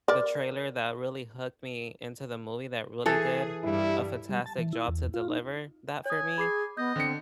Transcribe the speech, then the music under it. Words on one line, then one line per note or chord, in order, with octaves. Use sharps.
the trailer that really hooked me into the movie, that really did a fantastic job to deliver that for me,
A#4 D5
E3 G#4 A4
G2 G3 E4
G3
A5
E3
E4
E2
F4
D#4
C#5 G#5 D#6
G#4 B5 D6 C7
B3 D#5 G6
D3 C4 C#7